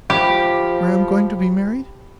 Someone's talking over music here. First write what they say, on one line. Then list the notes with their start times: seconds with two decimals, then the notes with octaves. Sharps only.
"Where I am going to be married?"
0.10 F3 G4 B5